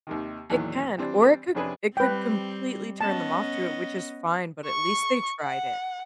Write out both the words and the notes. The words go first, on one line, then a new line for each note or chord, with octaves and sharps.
It can, or it could it could completely turn them off to it, which is fine, but at least they tried it
D#2 C3 D#3
E2 A#2 D#3 E3 F#3
E3 G3 C4 D4
F2 C3 C#4 D4 G#4 B4
G3 C4 B4 G5
B3 C#4 D#5 A5
C#6
F#5